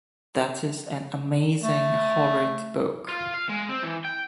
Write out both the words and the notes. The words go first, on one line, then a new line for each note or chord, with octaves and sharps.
That is an amazing horrid book.
A3
F4
F5
G#3
C4
E3
G5